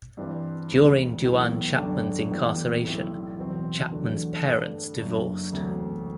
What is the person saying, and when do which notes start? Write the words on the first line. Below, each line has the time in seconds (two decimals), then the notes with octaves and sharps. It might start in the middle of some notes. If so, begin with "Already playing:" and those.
During Duane Chapman's incarceration, Chapman's parents divorced.
0.17 G2 E3 G3 C4
0.71 E1 D2 C3
1.24 B1 A2 E3 B3
1.77 F#2 D3 G3
2.31 A2 E3 G3 B3
2.84 B1 A2 G3 C4 E4
3.38 E2 B2 F#3 C4
3.91 E2 D3 F#3 A3
4.45 G2 D3 A3
4.97 F#1 F#2 D3
5.51 E1 D2 C3 F#3 A3